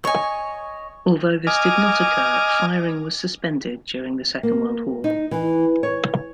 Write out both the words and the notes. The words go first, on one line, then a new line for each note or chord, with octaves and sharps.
Although this did not occur, firing was suspended during the Second World War.
C#5 D#5 G#5 C#6
D#5 G#5 D6 F6
A#3
D#4
E3
C#5